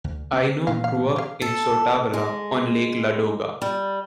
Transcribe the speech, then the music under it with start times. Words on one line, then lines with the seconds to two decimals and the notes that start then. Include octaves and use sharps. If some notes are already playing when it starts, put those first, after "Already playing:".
Eino grew up in Sortavala on Lake Ladoga.
0.04 D2
0.33 C4
0.67 G2 A#2 E3 F5
0.84 F5
1.16 G4 F5
1.42 A4
2.14 G#3
3.62 G3